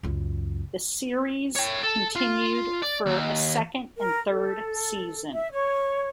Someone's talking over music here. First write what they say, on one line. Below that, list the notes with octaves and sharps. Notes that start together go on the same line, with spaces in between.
The series continued for a second and third season.
C#2 F#2
C#5 G5
A4
F4
D5
D#2
A#4
A4
E5
C#5